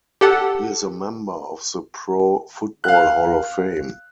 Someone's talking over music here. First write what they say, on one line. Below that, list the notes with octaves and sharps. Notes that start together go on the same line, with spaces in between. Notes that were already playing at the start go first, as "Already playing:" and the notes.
He is a member of the Pro Football Hall of Fame.
G4 A4 F#5 A5
F5 F#6